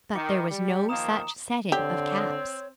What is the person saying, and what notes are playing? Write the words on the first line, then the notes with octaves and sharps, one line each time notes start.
But there was no such setting of caps.
D#3 D6 C#7
G3
D#3 F3 A#3 A#5 D#6 E7
D3 C4 G4 C#5